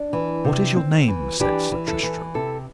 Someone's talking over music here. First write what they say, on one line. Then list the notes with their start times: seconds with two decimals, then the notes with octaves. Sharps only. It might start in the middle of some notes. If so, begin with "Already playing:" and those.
What is your name? said Sir Tristram.
Already playing: D4
0.13 E3
0.45 C3
0.76 C4
1.08 E3
1.40 E3 D4 G4
1.71 E3
1.87 E4 A4
2.03 E3
2.34 C3 E4 A4